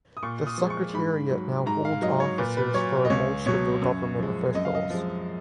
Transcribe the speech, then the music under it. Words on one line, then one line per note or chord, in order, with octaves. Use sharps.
The Secretariat now holds offices for most of the Government officials.
D#6
A#2 C#6
D#6
F3 G#3
C#6
G#2 B5
F#3
G#2 A#5
F5
F#3 D#5
C#5
A#2 B4
B4
F#3 C#5
D#5
C#2 C#5
B2 F#3 C#5
F#2
F3 G#3
F#2 D#5
F5
D#5
F3 G#3